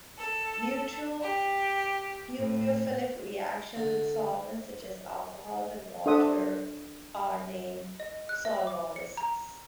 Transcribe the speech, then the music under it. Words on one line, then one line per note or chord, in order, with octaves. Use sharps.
Neutral nucleophilic reactions with solvents such as alcohols and water are named solvolysis.
A4
G4
A2
D3
D4 A4 C5 E5 F#5 D#6
D#5
F#6
E5
D6
C#7
A#5